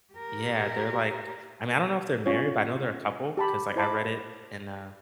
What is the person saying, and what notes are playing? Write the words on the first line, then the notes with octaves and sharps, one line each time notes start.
Yeah, they're like I mean, I don't know if they're married, but I know they're a couple 'cause, like, I read it in a
G4 A#4
C#4 F4 C#5
G4 A5 B5
E4 C5 A5 B5 D6